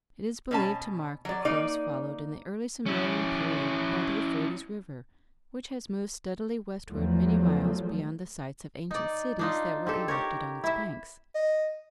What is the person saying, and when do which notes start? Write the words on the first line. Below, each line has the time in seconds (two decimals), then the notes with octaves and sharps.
It is believed to mark the course followed in the early Sumerian period by the Euphrates river, which has moved steadily westward many miles beyond the sites of ancient cities that were erected on its banks.
0.51 B2 C#4 A5
1.25 F#3 D5
1.45 A#3 D#4 D5
2.86 C#4 E4
6.90 E2 F3 F#3 A3
8.91 D#4 D5
9.39 D4 D#4 F4
9.87 C4 G4 A4
10.08 G4 A#4 C#5
10.64 E4 E5
11.35 D#5